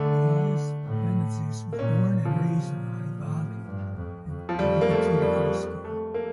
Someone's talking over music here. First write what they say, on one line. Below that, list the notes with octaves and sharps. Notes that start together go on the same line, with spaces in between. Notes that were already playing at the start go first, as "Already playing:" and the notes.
Elias Venezis was born and raised in Ayvali, where he completed high school.
Already playing: D3 A3
A2
A#3
A#2 C#4
C#3 F3
A#2
A2
G2
F2
F2
F3
F2 G3
A#3
A3
G3
A3
A#3